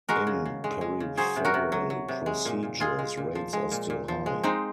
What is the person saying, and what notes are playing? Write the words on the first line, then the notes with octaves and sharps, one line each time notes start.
In peripheral procedures, rates are still high.
G#3 F#4 A#4
C#3
C#3
G#3
G#3
C#3
F#3 G#4 C5
C3
F#4 A#4
C3
F#3
F#3
C3
G#3
A#2
A#2
G#3 F4 G#4
G#3
A#2
F3
G#3
A#2
A#2
F3
G#3
G#3 C4 D#4